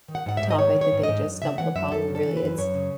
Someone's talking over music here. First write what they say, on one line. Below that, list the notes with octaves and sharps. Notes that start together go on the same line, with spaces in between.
topic that they just stumbled upon when really it's
D#3
F#5
G#2 F#5
G#2 E5
D#5
D#3 C#5
D#3
C#5
G#2
G#2 D#5
F#2
C#3 E5
E3 F#5
F#2 E5
F#2 A4
C#3
A4
E3
B4
F#2
F#2 C#5
C#3